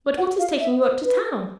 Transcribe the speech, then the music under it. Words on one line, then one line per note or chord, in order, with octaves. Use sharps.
But what is taking you up to town?
F#5
F5
E5
C5
B4